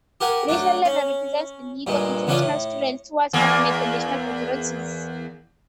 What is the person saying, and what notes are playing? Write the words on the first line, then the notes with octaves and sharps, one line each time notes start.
The national level represents the needs of international students towards governments and national authorities.
G4 A#4 F#5 G#5
F#3 A3 D4
C#4
G2 A#2 G#3
C#2 E3 C#4 D4 F4 G#5
A2
E2 A#3